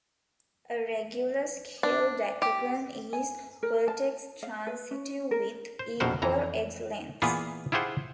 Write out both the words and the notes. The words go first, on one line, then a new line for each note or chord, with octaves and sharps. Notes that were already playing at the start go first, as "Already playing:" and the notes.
A regular skew decagon is vertex-transitive with equal edge lengths.
D4
G4
G#5
A#4
A5
F5
B4
C#4
A#4
C5
A#1 F2 B2 A#4 C5 F#5
F2 E3 A#5
A#2 E3 B3 F4 G#4 B4
E4 F4 G4 G#4 C5 F#5